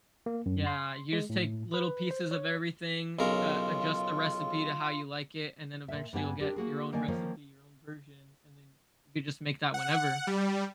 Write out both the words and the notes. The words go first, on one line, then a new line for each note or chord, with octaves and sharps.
Yeah. You just take little pieces of everything, uh, adjust the recipe to how you like it, and then eventually, you'll get your own recipe, your own version, and then you could just make that whenever.
A#3
F#2
C6
G#3
A2
B4
C5
C#5
B1 C#3 F4 A#4
A#2 E5
G2 G3 B3 D4 B4 G#5
C4 D4 G4 A#4
A#3 F#4 G#4
D#3 A#3 D#4 D5 D#5 G#5
D#3 F3 A#3 C#4 F4 C5
F#5
G3